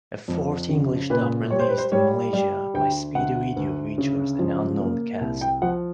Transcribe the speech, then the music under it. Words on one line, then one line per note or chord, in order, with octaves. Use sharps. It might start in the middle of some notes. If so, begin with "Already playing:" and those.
A fourth English dub released in Malaysia by Speedy Video features an unknown cast.
F2
C#3
A#2 B4
G3 C#5
C5
B4
C5
G3 C#5
G3 D5
D2 G5
D2 F#5
D2
C#3
F3
A#3
C2
G5
F3 F#5